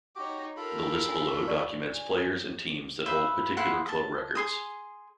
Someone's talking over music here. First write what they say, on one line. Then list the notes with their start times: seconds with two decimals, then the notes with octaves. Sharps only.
The list below documents players and teams that hold particular club records.
0.15 D#4 F#4 G4 C#5 D#5 D6
0.57 F4 G4 A4 A#4 F5 B5
1.09 D#4 C#5 G#5
1.47 C#5 D5 C#6
1.91 G#5
3.06 B4 C5 E5 F5
3.57 E4 F5 F#5 C6
3.89 A5
4.35 G#4 C6 D#6